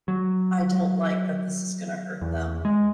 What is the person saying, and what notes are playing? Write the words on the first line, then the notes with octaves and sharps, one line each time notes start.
I don't like that this is gonna hurt them
F#3
E2
G#3